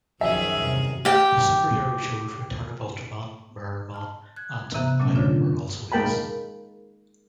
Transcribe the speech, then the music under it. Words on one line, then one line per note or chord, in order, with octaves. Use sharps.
The superhero shows "Return of Ultraman", "Mirrorman", and "Zone Fighter" were also his.
B1 F#2 D#3 F3 G#4 E5
E2 G2 C3
G4 G5
A5 F6
F#6 G#6
C3 E3 B3 E5 A#5 F#6
A#2 C#3 F#3 A3 C#4
D3 D4 F4 C#5
G#3 A#3 A#4 G5 A5 B5